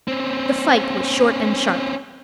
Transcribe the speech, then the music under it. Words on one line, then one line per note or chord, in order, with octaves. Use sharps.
The fight was short and sharp.
C4 C#4